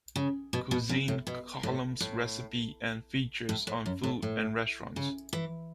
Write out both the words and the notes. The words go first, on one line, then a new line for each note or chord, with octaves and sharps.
Cuisine: Columns, recipes and features on food and restaurants.
C#3
B2
B2
F#2
A2
B2
A2
A2
A2
A2
F#2
A2
A2
C#3
E3